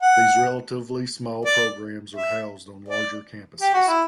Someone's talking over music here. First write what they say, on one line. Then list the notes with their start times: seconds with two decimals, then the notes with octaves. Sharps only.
These relatively small programs are housed on larger campuses.
0.02 F#5
1.45 D5
2.16 E5
2.89 D5
3.61 G4
3.74 F#4
3.88 E4